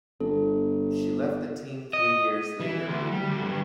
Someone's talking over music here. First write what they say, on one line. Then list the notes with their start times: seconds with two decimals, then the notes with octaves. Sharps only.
She left the team three years later.
0.20 G1 A4
1.93 D#5
2.60 E3
2.87 D2
3.12 G3
3.30 D2
3.44 G2